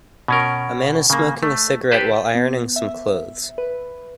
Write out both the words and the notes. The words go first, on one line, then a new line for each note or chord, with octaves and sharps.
A man is smoking a cigarette while ironing some clothes.
B2 C#4 A#4
C#3 A#3
A3
G4 A4 B4 C5
B3
E5
B4